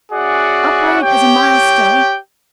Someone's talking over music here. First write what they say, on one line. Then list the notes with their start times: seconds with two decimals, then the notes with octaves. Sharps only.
Upright as a milestone.
0.12 C#4 F#4 G#4 D5 E5 F#5
1.01 G4 C#5 G5